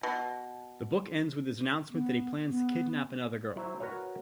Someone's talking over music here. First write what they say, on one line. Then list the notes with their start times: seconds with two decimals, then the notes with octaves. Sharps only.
The book ends with his announcement that he plans to kidnap another girl.
0.03 B2
1.90 B3
2.47 B3
3.56 F#3 E4 C5
3.80 F#4 A#4 B4 C#5